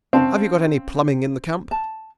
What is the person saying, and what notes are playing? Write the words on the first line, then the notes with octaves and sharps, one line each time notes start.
Have you got any plumbing in the camp?
C4 C#4 F5 A5
A5